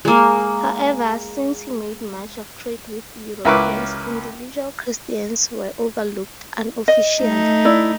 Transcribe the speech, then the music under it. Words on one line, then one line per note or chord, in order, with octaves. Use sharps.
However, since he made much of trade with Europeans, individual Christians were overlooked unofficially.
G#3 A#3
C#2 E4 A#4 B4 C#5 D6
D#5
A3 D#4
E4 D5